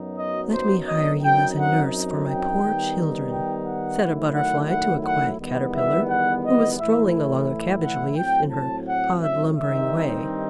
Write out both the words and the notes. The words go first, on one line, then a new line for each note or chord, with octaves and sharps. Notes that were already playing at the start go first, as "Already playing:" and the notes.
"Let me hire you as a nurse for my poor children," said a Butterfly to a quiet Caterpillar, who was strolling along a cabbage-leaf in her odd lumbering way.
Already playing: F#2 F#3 B3 D#4
D#5
C5
D#5
F#2 F#3 C4 D#4 G5
F#5
G5
D#3 G3 B3 D#4
G5
F#5
D#3 F#3 A3 E4
F#5
F#5
F#5
E2 D#3 G3 B3
E5
F#5
D#5
A2 E3 A3 E4 E5
F#5
A2 F#3 C4 G5
A5
F#5
E5
G2 D#3 G3 C4 D#4 E5